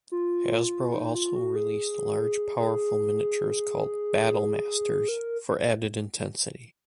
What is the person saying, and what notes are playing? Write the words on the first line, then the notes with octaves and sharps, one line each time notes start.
Hasbro also released large, powerful miniatures called "Battle Masters," for added intensity.
F4
D#4
F4
F#4
G#4
G#4
A#4